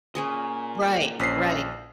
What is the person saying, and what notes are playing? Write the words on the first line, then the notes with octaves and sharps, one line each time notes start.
Right, right.
A#2 C#4 G#4 D#5
A#1 C#4 C5 D#5 B6 C7